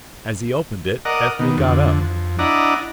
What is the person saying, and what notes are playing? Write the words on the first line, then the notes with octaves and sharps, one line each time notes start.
As he opened it, Ethne got up.
A#4 D5 D#5 F#5
B2 D#3
F2 D3
F2
D4 E4 D5 D#5 F#5 A#5